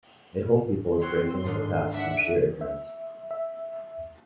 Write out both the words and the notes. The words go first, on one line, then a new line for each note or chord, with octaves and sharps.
A whole people is breaking with the past from sheer ignorance.
C4 C#5 F#5 C6
G#2 D3 D#3 A4
D4 E5 F#5
E5
E5